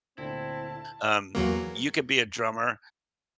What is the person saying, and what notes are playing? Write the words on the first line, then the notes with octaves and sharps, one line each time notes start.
Um, you could be a drummer,
D2 A#2 D3 C4 E4 A5
E2 F#3 A#3